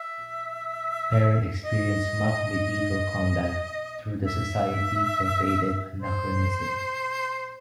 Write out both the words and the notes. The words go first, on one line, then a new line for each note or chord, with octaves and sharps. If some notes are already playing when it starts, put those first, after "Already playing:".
Perrin experienced mock medieval combat through the Society for Creative Anachronism.
Already playing: E5
D#5
E5
C5